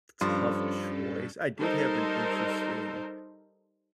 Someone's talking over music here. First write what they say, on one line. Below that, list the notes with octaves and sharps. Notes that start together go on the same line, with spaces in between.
tough choice. I did have an interesting
G2 F3 C#4 A4
G3 D#4 A4 A#4 C5